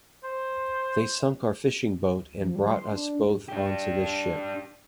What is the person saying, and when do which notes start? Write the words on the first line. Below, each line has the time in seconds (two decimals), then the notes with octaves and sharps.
They sunk our fishing-boat and brought us both on to this ship.
0.24 C5
2.39 F3
2.55 G3
2.67 C6
2.91 D4
3.20 G2
3.48 D4 G4